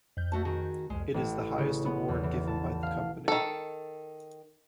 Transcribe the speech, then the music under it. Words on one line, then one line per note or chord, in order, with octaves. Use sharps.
It is the highest award given by the company.
F2 G6
A3 F#4 A5
D#3 F#4 G#4
C2 F2 G#3
A1
C#3
B3
E2
E3
A5
F5
D#3 A4